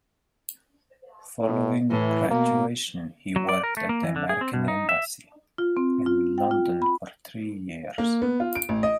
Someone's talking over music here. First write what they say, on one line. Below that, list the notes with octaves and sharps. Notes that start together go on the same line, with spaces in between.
Following graduation he worked at the American Embassy in London for three years.
A2
A2 E3
B2 A#3
F#3
D5
A#4
A3
A#3
E3
D3
G#4
C4
B2
D#4
E5
F4
C4
F4
G5
F4
B5
A#3
B3
F4
D7
A1
D#5